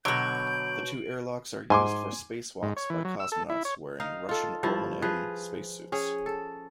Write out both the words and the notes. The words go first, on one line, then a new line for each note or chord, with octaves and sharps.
The two airlocks are used for spacewalks by cosmonauts wearing Russian Orlan-M spacesuits.
B2 D3 F#3 C#5 G5 G6 D7 F#7
G#2 G#5 C6 D6
G#2
C#5
E3
F#3
E6
A4
E4
C#5
D#4 F5
F4 A4
G2 F3 E4
F3 G#4 B4
C#4 G#4
A4